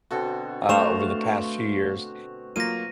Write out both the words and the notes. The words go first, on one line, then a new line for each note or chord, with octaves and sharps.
uh, over the past few years,
B2 D3 C4 F#4 A4
A3 D4 F#4 C5 F5 C#6 E7 F7
F#3 A#3 F4 A#6 D#7